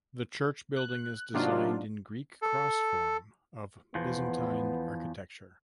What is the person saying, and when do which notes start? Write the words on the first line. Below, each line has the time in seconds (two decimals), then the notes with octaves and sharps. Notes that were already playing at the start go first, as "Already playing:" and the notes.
The church building is designed in Greek cross form of Byzantine architecture.
0.76 F#6
1.34 C3 F#3 A#3 D4 D#4 F4
2.42 A4
3.95 E2 F3 B3